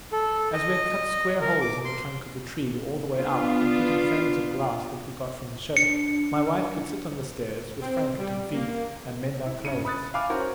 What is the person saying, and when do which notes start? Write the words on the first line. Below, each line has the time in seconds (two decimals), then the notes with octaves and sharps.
As we had cut square holes in the trunk of the tree all the way up, and put in frames of glass that we got from the ship, my wife could sit on the stairs, with Frank at her feet, and mend our clothes.
0.12 A4
0.53 D#5
1.41 A#4
1.61 D6
1.85 C6
3.15 B3 D4 F4
5.77 D4 C#7
7.81 C4
8.18 G3
8.54 A#3
9.46 E4
9.65 G2 C#3 C#7 D#7
9.85 B5 D#6 F#6 A6
10.14 E5 F5 G#5 B5 D6 F6
10.30 C#4 F#4 A#4 C5